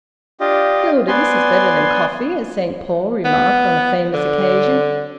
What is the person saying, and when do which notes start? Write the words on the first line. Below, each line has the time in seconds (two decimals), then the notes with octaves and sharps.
Hilda, this is better than coffee, as Saint Paul remarked on a famous occasion.
0.40 D4 F4 G4 D#5
1.08 B3 D5 G#5 C6
3.25 B3
4.14 D3